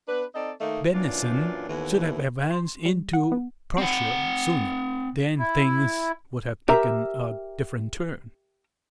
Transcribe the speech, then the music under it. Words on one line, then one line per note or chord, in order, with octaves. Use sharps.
"Bennigsen should have advanced into Prussia sooner, then things would have taken a different turn..."
B3 D4 B4
C4 D#4 A4 D5 D#5
D#3 A3 A#3 D#4
F#2 A#2 E3 D4 F4
D#2 A2 E3 A#3 B3
C6
G3
F#5
B3
C4 F#5
E4
G4 A#4 E5 A#5